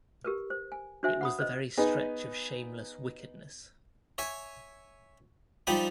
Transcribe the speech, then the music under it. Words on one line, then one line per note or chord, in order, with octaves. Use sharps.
It was the very stretch of shameless wickedness.
G4 A#4 B4
C5
G#5
D4 F#4 C5 E5 G#5
F#5 B5 D#6
B4 C5 D#5
B3 D#4 G#4 B4
C#5 E5 G#5
F3 G3 D#4 G5 B5 D#6